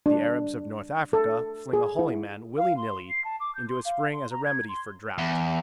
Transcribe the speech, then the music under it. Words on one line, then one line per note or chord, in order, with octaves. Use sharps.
The Arabs of North Africa fling a holy man, willy-nilly, into a spring as a remedy for drought.
D4
A4
G#4
E4
F5
C6
C7
A5
D6
G6
C6
F5
C6
A#5
G#6
C6
E2